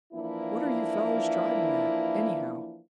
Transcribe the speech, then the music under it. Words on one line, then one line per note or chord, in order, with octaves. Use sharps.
"What are you fellows driving at, anyhow?"
E3 F3 A#3 D4 E4